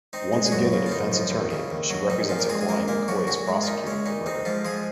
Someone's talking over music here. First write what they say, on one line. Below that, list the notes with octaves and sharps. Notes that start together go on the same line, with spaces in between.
Once again a defense attorney, she represents a client McCoy is prosecuting for murder.
C4 D#4
G#3
G#4
F#2 F#3 F#4
C#3
F4
F#2 D#4
F3
D#2
C#3
D#2
F#3
A#1 D#4
A#2 F3 F4
A#4
G#3 C4 G#4
G#4
G#3 A#3 A#4
A#2 A#3 A#4
F3 F#3 F#4
A#2 F#3 F#4
G#3
F4
A#2 D#4
G#3 C#4
A#2 D#4
C4 D#4
G#2 F3 F4
F3 G#3 G#4